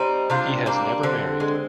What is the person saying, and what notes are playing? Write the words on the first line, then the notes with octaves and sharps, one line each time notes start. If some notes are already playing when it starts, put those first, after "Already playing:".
He was never married.
Already playing: G3 C4 D#4
C3 D4 F4
G3 A#3 D4
D3 C4
G#3